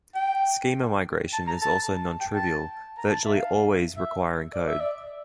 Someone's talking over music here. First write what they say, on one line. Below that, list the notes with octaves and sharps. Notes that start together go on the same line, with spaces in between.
Schema migration is also non-trivial, virtually always requiring code.
G5
A5
A#5
A5
G5
A5
A#5
A5
E5
F5
E5
D5
E5
D5